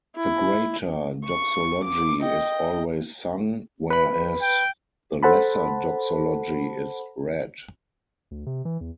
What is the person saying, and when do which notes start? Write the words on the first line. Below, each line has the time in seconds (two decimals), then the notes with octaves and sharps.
The Greater Doxology is always sung, whereas the Lesser Doxology is read.
0.16 E4
1.26 C#6
1.84 D6
2.21 D#5 G5
3.90 B4 B5
4.42 G5
5.23 A4 C5 F#5 A5 B5
8.31 D2
8.46 C3
8.65 E3
8.81 E2